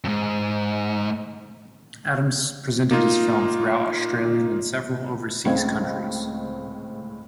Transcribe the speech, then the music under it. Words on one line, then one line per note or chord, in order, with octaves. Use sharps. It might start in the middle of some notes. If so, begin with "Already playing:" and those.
Adams presented his film throughout Australian and several overseas countries.
F2 G#2
A#3 D#4 F4
C#2 A2 C4 D#5 F5 G#6